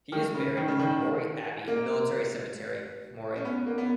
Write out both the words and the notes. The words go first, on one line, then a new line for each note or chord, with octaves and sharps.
He is buried at the Morey Abbey Military Cemetery, Mory.
D#3
C#3
D#3
C#3
D#3
A#3
C#4
B3
A#3
B3